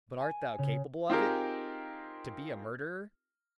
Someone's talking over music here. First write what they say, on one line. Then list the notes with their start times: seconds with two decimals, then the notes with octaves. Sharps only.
But art thou capable of it--to be a murderer?
0.20 G#5
0.58 C#3
1.10 C4 D#4 F4 G4 G#4 A#4